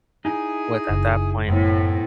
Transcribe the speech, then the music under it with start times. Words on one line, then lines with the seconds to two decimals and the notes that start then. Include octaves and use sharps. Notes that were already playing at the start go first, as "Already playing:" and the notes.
with, at that point,
0.25 D#4 E4 G#4 G#5
0.89 F#1
1.48 F#2 A2 B3 C4